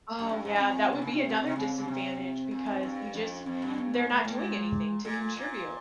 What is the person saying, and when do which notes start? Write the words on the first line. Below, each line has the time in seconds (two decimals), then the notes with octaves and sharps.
Oh yeah, that would be another disadvantage because you just they're not doing anything to contribute.
0.19 F#2
0.29 G2 C#4
0.45 G#2
0.56 A2
0.60 A#2 C4
0.92 C3 C#4
1.02 C#3
1.11 C3
1.24 C4
1.29 A#2
1.38 B2
1.47 C3
1.55 C#3 C4
1.78 C#3
1.87 C3 C4
2.19 C4
2.51 A#2
2.66 G#2
2.83 G2
3.15 F2 C#4
3.46 F2 C4
3.62 F#2
3.78 G2 B3
3.94 G#2
4.09 B2 A3
4.17 A#2
4.25 A2
4.33 A#2
4.42 G#3
5.05 A#2 A3
5.36 A#2